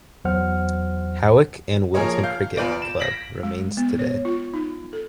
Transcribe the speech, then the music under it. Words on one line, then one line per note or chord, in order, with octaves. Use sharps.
Hawick and Wilton Cricket Club remains today.
E2 F#3 C5 F#5 F6
F3 A#3 G#4 A#4 C#5 D#5
F5 G6
E2 F4 B4 D5 G6 D7
E7
A#6 B6 D7 F#7
G#3
B3
C#5
F4
D#4
A4